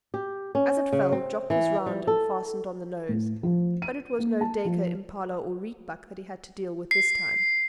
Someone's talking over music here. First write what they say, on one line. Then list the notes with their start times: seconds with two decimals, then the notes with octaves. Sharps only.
As it fell Jock was round and fastened on the nose; but it was no duiker, impala or rietbuck that he had to deal with this time.
0.14 G4
0.55 C#4
0.93 C#3
1.12 C4
1.50 E3
1.86 G3
2.07 A4
3.09 A2
3.43 F3
3.82 D#7
4.19 A#3
4.41 A5
4.65 F3
6.91 C7